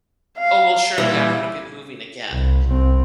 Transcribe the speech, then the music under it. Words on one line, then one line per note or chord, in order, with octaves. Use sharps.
"Oh, well surely I'm gonna be moving again,"
F5
A#2 E3 G3 E4
C2
C2 C4